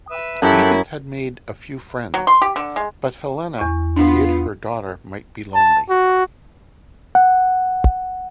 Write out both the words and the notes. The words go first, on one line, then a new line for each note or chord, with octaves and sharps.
Edith had made a few friends, but Helena feared her daughter might be lonely.
B4 E5
F#2 E4 G4 A4 F#6
F#3
C6
G4
D3
G#3
E2 C#6
B3 D4 F4
A5
F#4
F#5